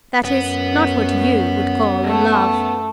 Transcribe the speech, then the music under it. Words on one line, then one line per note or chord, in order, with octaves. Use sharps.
That is, not what YOU would call in love.
F#2 B3
A3